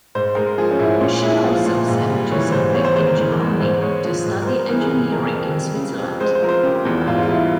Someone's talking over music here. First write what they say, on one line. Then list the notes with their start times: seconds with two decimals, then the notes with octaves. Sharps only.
She also sent Giuseppe and Giovanni to study Engineering in Switzerland.
0.15 G#2 C5
0.36 G#3 A#4
0.58 F3 G#4
0.71 C#4
0.79 G#2 E4
1.01 A#2 C#4
1.22 G#3 E4
1.44 F3 F4
1.66 A#2
1.88 G#2
2.10 G3
2.31 E3 C#5
2.52 G#2 C5
2.74 E2 C#5
2.85 C5
2.96 G#3 C5
3.07 A#4
3.17 E3
3.39 E2
3.60 G#2 C5
3.82 G#3 C#5
4.05 F3
4.26 G#2
4.42 A#4
4.47 G3 C5
4.59 A#4
4.69 E3 A#4
4.80 G#4
4.90 C3 G#4
5.12 F2 A#4
5.34 F2
5.55 G3
5.77 C#3
5.98 F2
6.20 G#3 C5
6.35 C5
6.42 F3 A#4
6.49 C5
6.63 C#3 G4
6.85 E2
7.07 G#2 F4
7.23 F4
7.28 G3 E4